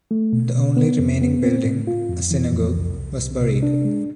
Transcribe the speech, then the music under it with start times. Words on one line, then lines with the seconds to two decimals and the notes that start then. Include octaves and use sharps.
The only remaining building, a synagogue, was buried.
0.11 A3
0.33 B2
0.55 B2
0.77 B3
0.99 F2
1.22 B3
1.43 C4
1.65 A2
1.87 F4
2.09 F2
2.31 E3
2.53 F2
2.75 C2
2.97 C2
3.19 C2
3.41 C3
3.63 D4
3.85 G#3